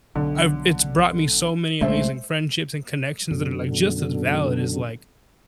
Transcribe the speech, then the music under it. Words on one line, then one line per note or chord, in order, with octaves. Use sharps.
I've it's brought me so many amazing friendships and connections that are like just as valid as, like,
B1 D3
B1 A#2 G#3 A3 C#4 C5 E5
F#2 B2 D3